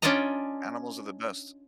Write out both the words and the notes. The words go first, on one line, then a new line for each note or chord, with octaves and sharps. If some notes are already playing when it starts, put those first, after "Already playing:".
Animals are the best.
C#4 D4 F4 D5 D#5 A#5